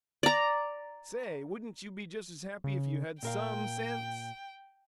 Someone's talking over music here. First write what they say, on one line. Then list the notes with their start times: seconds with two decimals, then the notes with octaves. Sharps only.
"Say, wouldn't you be just as happy if you had SOME sense?"
0.23 D5 A#5
2.64 C#3
3.23 A#2 A#4 F5 G5